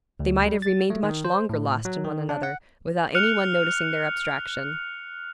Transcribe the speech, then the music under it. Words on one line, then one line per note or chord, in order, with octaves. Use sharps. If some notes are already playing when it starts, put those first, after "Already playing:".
They might have remained much longer lost in one another, without any one noticing their abstraction.
D2
G3
A6
A3
D#3
C5
A2
F#3
D#3
D4
F#5
F6 F#6 C#7 F7